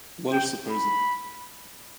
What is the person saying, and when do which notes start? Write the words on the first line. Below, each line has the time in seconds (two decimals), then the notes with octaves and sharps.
Let us suppose it.
0.32 G5
0.70 B5